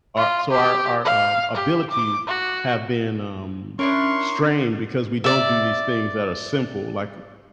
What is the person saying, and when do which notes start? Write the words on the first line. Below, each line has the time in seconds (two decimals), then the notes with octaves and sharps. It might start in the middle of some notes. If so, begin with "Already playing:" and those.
our so, our our, um, abilities have been, um, strained because we don't do these things that are simple, like
0.17 F4
0.51 G4
1.05 F5
1.55 G4
1.91 D6
2.28 F#4
3.79 C#4 D4 E4 A#4 C6 C#6
5.24 D5 E5